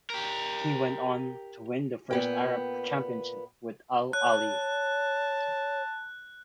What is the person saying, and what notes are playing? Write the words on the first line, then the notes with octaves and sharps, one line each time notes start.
He went on to win the first Arab championship with Al Ahly.
G4 A#4
A#2 B3 G5
C#5 A5 F#6